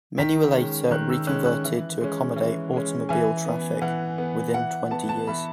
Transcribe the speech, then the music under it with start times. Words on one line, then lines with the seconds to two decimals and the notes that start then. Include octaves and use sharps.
Many were later re-converted to accommodate automobile traffic within twenty years.
0.18 D#3 B6
0.55 G#3 C#4
0.91 D#3 F#6
1.10 E6
1.27 G#3 C#4 F#6
1.46 F#6
1.64 E3
2.00 G#3 C#4
2.36 E3
2.73 G#3 C#4
3.09 E3 G#5
3.46 B3
3.82 E3 F#5
4.18 B3
4.54 E3 F#5
4.91 B3 A5
5.09 A5
5.27 E3 B5